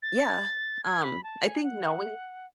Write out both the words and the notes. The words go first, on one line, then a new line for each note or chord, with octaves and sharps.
yeah, um, I think knowing
A6
G#6
B5
A5
G#5
F#5